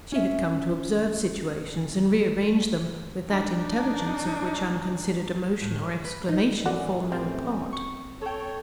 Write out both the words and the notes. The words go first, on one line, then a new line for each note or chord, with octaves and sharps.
She had come to observe situations and rearrange them with that intelligence of which unconsidered emotion or exclamation form no part.
C#4 E5
D4 D#4
A2
F#2
B4
D#4
F#2 A2 E3 F#4 A4 D5
G3 C4
C#6
A4 C#5 G5